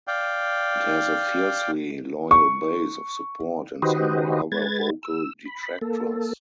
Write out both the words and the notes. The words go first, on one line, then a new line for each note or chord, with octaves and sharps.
It has a fiercely loyal base of support and some rather vocal detractors.
D5 F5 G5
C#6
D#3 F#4 G4 B4 C5 D#5
G#3 B4 G#6 A6
E6
B5
A#3 A4